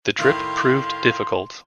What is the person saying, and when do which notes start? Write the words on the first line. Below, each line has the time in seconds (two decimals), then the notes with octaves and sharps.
The trip proved difficult.
0.19 A2 D#3 E4 F5 C6